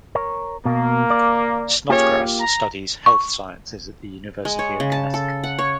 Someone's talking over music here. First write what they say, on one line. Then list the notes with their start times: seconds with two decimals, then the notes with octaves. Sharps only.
Snodgrass studies health sciences at the University of Connecticut.
0.15 A#4 C#5
0.65 B2 A#3
1.10 D5
1.90 A#3 C#4 F4 G4 G#4 C#5
2.41 A#5
3.06 C#6
4.45 G#3
4.59 C#5
4.80 C#3
4.92 A5
5.14 A4
5.44 F#5
5.59 C#5